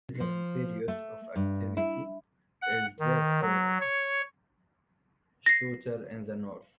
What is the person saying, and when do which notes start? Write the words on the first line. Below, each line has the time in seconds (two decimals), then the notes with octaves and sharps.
The seasonal period of activity is therefore considerably shorter in the north.
0.20 F3
0.88 A3
1.36 G2
1.77 E4
2.62 F#5
3.00 D#3
3.42 F#3
3.81 C#5
5.46 A#6 C7